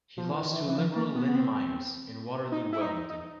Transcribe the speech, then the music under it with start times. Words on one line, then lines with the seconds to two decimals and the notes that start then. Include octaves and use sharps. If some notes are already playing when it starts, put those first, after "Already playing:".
He lost to Liberal Lynn Myers in Waterloo-Wellington.
0.18 F3
0.29 E3
0.43 D#3
0.53 E3
0.68 E3
0.77 F3
0.96 A#3
1.15 B3
1.28 B3
1.36 C4
2.52 D#4
2.73 E4
2.82 D#4
3.10 D#4